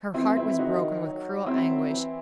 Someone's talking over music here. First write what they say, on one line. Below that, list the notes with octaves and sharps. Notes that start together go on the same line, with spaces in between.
Her heart was broken with cruel anguish.
E3 C4 E4
C4 E4
D#3 D#4 F#4
F#3
C4 E4
E3